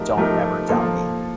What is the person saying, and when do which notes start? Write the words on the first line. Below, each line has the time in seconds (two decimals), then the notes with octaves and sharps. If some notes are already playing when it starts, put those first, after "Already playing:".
"Don't ever doubt me,"
Already playing: F3 A3 D#4 G4 A#4
0.17 F3 A3 D#4 G4 A#4
0.69 F3 A#3 F4 A4